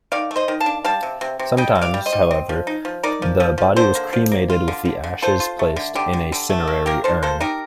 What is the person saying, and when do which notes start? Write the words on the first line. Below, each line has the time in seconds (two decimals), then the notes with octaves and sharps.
Sometimes however the body was cremated with the ashes placed in a cinerary urn.
0.12 D#3 D5 F5
0.31 A3
0.36 C5 D#5
0.48 D#3
0.60 F5 A5
0.66 D4
0.85 G3 F5 A5
1.03 C3
1.21 C3
1.39 C3
1.57 G3 D#5 G5
1.75 C3
1.81 D5 F5
1.94 G3
2.06 C5 D#5
2.13 G3
2.31 C4
2.49 F3
2.67 D#4
2.85 F3
3.03 D#4 A#4 D5
3.22 F3
3.40 F3
3.58 F3
3.76 D3 A4 C5
3.95 A#3
4.13 F3
4.32 A#3
4.50 F4
4.68 D3
4.85 D3
5.04 D3
5.22 F4 A4 C5
5.40 F4
5.59 A3
5.76 D3
5.95 D3 G4
6.13 D3
6.32 D3
6.50 A3
6.68 A#3
6.86 A#3 G4 A#4
7.04 D#3 A4 C5
7.23 A#3 A4 C5
7.40 D#4 G4 A#4